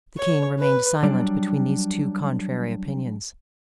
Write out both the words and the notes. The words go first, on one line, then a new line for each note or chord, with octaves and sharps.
The king remained silent between these two contrary opinions.
C#5
B4
F#3 G3 D4